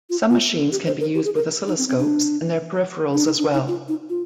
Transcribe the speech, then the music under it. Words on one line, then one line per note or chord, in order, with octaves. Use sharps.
Some machines can be used with oscilloscopes and their peripherals as well.
F4
F4
G4
C5
A#4
G4
G#4
A#4
D#4
C4
C4
D4
D4
D#4
D4
D#4
F4
D#4
F4